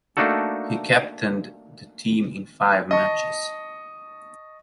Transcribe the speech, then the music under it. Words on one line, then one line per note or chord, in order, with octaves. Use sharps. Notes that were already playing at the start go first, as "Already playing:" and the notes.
He captained the team in five matches.
A3 A#3 D4 D#4 F#4 A4
D#5 A5 C#6